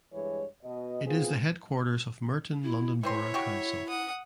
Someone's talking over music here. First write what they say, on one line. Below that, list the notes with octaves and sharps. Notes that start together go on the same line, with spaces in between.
It is the headquarters of Merton London Borough Council.
G2 E3 G#3 C#5
B2 D#5
B3 C4 F4 G#4
E4
E3 C4 E4 C#5 E5 C6
F#4 G4 C#6
F#5 D#6